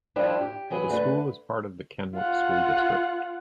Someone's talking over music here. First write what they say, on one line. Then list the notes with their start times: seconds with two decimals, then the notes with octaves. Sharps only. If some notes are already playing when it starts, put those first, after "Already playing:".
The school is part of the Kennewick School District.
0.16 D#3 F3 G3 D4 E4
0.41 G4
0.70 E3 F#3 G#4 B4
0.90 D3 A3 B4
2.15 F4 F#5